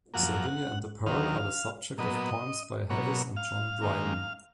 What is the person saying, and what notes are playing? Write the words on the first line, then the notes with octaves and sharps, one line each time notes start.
Servilia and the pearl are the subject of poems by Hafiz and John Dryden.
F#2 F3 A#3 F#5
D#2 D#3 F#3 A#3 F5
A#2 F#3 B3 D#5
B2 F#3 A#3 C#5
F5
G#2 D#3 A#3